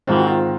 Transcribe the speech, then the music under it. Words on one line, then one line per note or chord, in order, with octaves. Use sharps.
U um,
G#2 D#3 G#3 C4 F4
F#4
F4